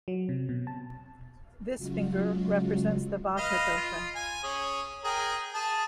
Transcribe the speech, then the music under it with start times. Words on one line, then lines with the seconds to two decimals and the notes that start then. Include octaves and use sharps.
This finger represents the Vata dosha.
0.08 F#3
0.29 C3
0.49 B2
0.67 A5
1.77 C#3 F#3 G#3 F4 F#4
3.37 B4 D#5 F5
3.76 F4
4.15 G#5
4.43 C#4 G#4
5.05 G#4 A#4 G5
5.54 G#4 A5